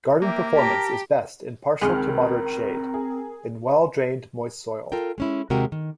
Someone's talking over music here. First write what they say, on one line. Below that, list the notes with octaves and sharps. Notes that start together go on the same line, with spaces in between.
Garden performance is best in partial to moderate shade, in well-drained moist soil.
A#3 G4 E5
G4 A#4 A5 A#5
C#2 D#3 G#3 C4 G4 A#4 D#5 F6
G#4
F4 A4 A#4 G5
G#3 C#4 E4
D#2 C3 G#3 F#4 A#4 G5
D#3